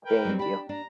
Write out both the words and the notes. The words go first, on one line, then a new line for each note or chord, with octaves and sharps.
Thank you.
A#4 B4 G5
F#3 G3 C4
D4 G4 B5
D4 A#5